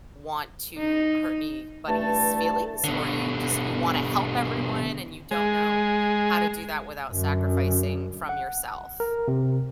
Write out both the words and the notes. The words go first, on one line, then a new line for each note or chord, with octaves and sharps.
want to hurt anybody's feelings? Or, you just you wanna help everyone and you don't know how to do that without sacrificing from yourself?
D#4
G2 E3 A3 A5
B2 D3
G#3
F#2 D3
F#5
A#4
C3